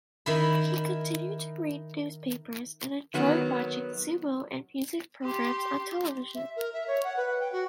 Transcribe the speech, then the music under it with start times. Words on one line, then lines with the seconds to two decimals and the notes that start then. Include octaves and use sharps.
He continued to read newspapers, and enjoyed watching sumo and music programs on television.
0.26 D#3 E4 B5
3.14 D#3 F#3 B3
5.24 G4 C6
6.35 E5
6.56 A#4
6.73 E5
6.88 C#5
7.04 F#5
7.17 B4
7.40 G5
7.52 F#4